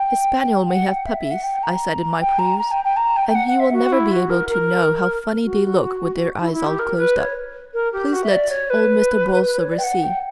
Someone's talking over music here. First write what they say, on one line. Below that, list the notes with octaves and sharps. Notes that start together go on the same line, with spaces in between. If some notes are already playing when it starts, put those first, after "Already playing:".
"His spaniel may have puppies," I said in my prayers, "and he will never be able to know how funny they look with their eyes all closed up. Please let old Mr. Borlsover see."
Already playing: G5
F#5
G5
E5
E5
F#5
G5
A#5
G5
A#5
A#5
G5
G5
A#5
G5
G5
F#5
F#5
E5
F#4
E4
F#4
A#4
A#4
F#4
E4
E4
G4
A#4
B4
C#5
A#4
G4
F#4
E5
D5
C#5
B4
B4
C#5
D5
G5
F#5
G5